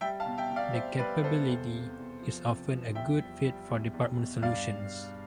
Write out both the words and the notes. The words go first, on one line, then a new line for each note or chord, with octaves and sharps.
This capability is often a good fit for department solutions.
G3 E5 G5
F5 A5
B2
E5 G5
B2
D5 F5
G3 C5 E5
G3 B4 D5
B2 A4 C5
E2
C3
E2
F3
C3
F3
E2 E5 G5
G3
G3
E2
E2
B2
G2 D5 F5